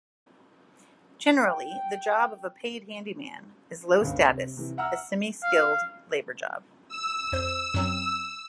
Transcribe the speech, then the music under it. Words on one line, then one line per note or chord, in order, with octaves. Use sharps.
Generally the job of paid handyman is low status, a semi-skilled labor job.
G5
G1 C#2
C3
C3 E3
E5 F#5 A#5 E6 F6
F5
E6
F2 C5
F#2 F#3 C4